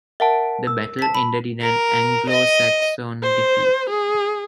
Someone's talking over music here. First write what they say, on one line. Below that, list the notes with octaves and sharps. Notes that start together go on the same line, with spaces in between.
The battle ended in an Anglo-Saxon defeat.
A#4 E5 F#5 A5
E6
A5 B6
B5
A#4
D#5
C5
G#4